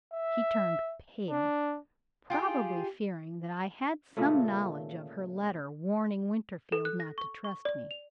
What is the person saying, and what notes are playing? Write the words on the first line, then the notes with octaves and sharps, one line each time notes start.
She turned pale--probably fearing that I had some knowledge of her letter warning Winterfield not to trust me.
E5
D4
F4 G4 G#4
A#2 C#3 G#3 A3
A4
F#6
A#6
C#6
C#6
D5
F7